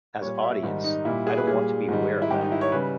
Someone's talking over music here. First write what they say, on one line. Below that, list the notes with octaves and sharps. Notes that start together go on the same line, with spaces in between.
As audience, I don't want to be aware of acting.
A#2 G3 C#5
E5
G#2 D#3 G3
D#4
A#2 G3 E4
G#4
B4
A#2 G3 G#4
G#2 D#3 G3
E4
G#2 D#3 G3 G4
D#4
E4
C#5
C#3 G3 B4